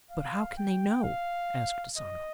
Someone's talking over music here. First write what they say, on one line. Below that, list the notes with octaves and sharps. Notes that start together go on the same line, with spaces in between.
"But how can they know?" asked Asano.
F5
G5
F5
D#5